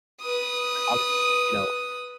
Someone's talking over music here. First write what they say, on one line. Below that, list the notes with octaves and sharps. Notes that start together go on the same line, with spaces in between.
but obviously, you know,
B4 D#6